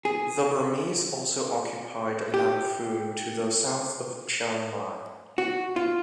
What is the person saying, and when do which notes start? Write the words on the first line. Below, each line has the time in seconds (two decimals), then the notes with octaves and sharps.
The Burmese also occupied Lamphun to the south of Chiang Mai.
0.05 G#4
2.34 G4
5.38 F#4
5.76 F4